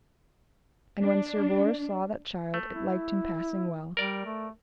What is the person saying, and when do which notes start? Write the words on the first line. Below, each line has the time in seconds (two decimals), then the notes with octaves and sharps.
And when Sir Bors saw that child it liked him passing well.
0.99 D4
2.54 A3
2.72 E4
3.97 G3 A#4 D5
4.25 A3